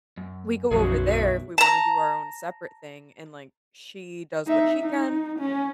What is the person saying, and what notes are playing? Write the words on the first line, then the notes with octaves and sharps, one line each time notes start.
we go over there if we want to do our own separate thing, and, like, she does what she can,
F#2
B1 F#2 F3 F#3 F#4 G#4
D#4 E5
A5 A#5
D#4 E5
D#4
C#4